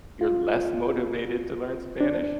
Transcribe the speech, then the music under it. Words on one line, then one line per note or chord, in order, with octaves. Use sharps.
you're less motivated to learn Spanish?
F4
D4